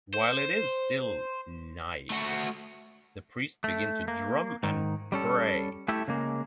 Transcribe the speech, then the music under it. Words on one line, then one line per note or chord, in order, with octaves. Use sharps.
While it is still knight, the priest begins to drum and pray.
C5
A3 F#4
A3
A#3
G#2 D#3
G3 C#4 A4
A3 E4 G4 A4 E5
C#3 G#3 A#3